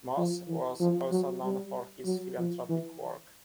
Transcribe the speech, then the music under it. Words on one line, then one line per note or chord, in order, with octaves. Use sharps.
Mosse was also known for his philanthropic work.
F3
E3
F3
F#3
G3
F#3
F3
E3